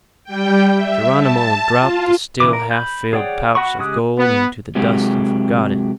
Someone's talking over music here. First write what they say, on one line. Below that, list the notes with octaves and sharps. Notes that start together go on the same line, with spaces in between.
Geronimo dropped the still half-filled pouch of gold into the dust and forgot it.
G3 G5
E5
A5
F4
C#3 E3 B4 D6
A#4
B5 G6
G#4 C#5 D5 F#5 G5
F#4 F#5 B5 C#6
C#3 G#3 G4 D#6 F#6
B3
C3 F#3 G#3 G4